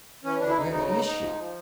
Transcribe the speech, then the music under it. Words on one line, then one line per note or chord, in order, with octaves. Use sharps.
"Where is she?"
E3 C#4
D2 D4
E4
D2 D#4
C#3 D#4
G#2 D#4
G#2 D#4
F3
F3